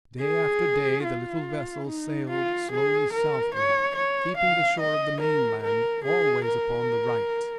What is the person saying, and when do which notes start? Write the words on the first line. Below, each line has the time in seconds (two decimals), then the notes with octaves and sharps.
Day after day the little vessel sailed slowly southward, keeping the shore of the mainland always upon the right.
0.21 G#4
1.04 F4
1.87 D#4
2.29 F4
2.72 G#4
3.13 A#4
3.54 C#5
3.95 C#5
4.37 F5
4.80 D#5
5.21 A#4
5.63 A#4
6.05 G#4
6.46 A#4